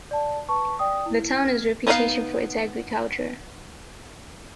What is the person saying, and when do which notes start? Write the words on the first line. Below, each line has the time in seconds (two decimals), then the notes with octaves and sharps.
The town has reputation for its agriculture.
0.11 D5 A5
0.49 B4 A5 C#6
0.79 D5 G5 D#6
1.06 E4
1.36 F6 G#6
1.87 B3 D#4 B4 C#5 F5